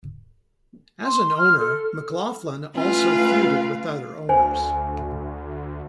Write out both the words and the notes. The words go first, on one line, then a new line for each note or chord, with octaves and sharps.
As an owner, McLaughlin also feuded with other owners.
C6
F6
A4
A3 C#4 F4 B4 F5
D2 C5 G#5